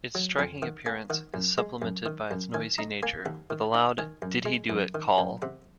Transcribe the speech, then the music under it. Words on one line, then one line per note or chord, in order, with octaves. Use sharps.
Its striking appearance is supplemented by its noisy nature, with a loud "did-he-do-it" call.
F#3
F2 G#5
D#3 F#5
A#3 G#5
D#3 F#5
F#2
G#3
F#2
D#3
F#2
D#3 G#5
D#4 A#5
A#3 G#5
D#2 F#5
D#3
D#4
D#3 G#5
F#2
G#3
F#2
D#3
F#2
C3 F#5